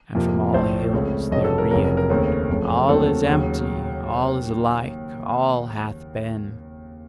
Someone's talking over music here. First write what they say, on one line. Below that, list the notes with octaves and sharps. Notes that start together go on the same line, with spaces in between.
And from all hills there re-echoed: 'All is empty, all is alike, all hath been!'
F2 C3 F3 A#3
A#1 A2 F3 C5
C#2 C#3 A3 C4
F1 F2 C#3 F#3 D#5
A4
A#4
F1 F2 C#3 F#3 A#4
A#4
A#4
D#2 C#3 A3 C4
F#1 F2 C#3 A3
D#2 D#3 F#3 A3 C4 A4
D#2 C#3 F#3